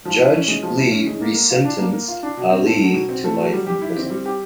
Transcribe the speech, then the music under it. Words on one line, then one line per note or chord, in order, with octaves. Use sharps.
Judge Lee resentenced Ali to life in prison.
F3
E4
C#4
G#3
F3
E4
C#4
G#3
A#3
A#4
F4
D4
A#3
A#4
F4
D4
B2
C4
A3
F#3
B2
C4
A3
F#3
G3
G4
E4
C4
G3
G4